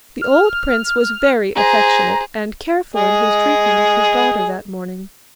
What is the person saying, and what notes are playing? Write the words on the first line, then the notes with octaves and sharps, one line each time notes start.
The old prince was very affectionate and careful in his treatment of his daughter that morning.
F6
G#4 C5 A#5
G#4 D#5